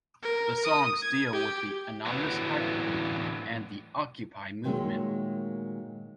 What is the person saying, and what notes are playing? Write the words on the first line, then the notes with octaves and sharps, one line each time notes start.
The songs deal with the Anonymous hacker group and the Occupy movement.
A#4
D#6
G#6
G4
A2 D3 E3 F#3 B3
A#2 D#3 F#3 G#3 A3